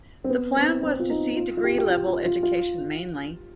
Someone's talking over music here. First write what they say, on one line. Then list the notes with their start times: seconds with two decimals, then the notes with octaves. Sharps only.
The plan was to see degree level education mainly.
0.24 C4
0.29 B3
0.56 C4
0.83 C4
0.99 F4
1.10 D#4
1.36 F4
1.57 F4
1.64 G4
1.78 G4
1.90 F4
2.08 F4
2.25 F4
2.43 F4